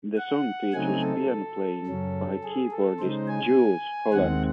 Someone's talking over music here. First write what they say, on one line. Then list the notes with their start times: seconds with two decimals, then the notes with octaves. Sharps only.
The song features piano playing by keyboardist Jools Holland.
0.17 F#5
0.73 C#3 F#3 A3 C4 D#4 G#5
1.01 A4
1.86 F#2 C#3 F#3 C#4
2.44 G#4
2.71 A4
2.99 C#3 G#3 D#4 C5
3.27 G#5
4.13 D#2 D#3 G#3 C4 F#5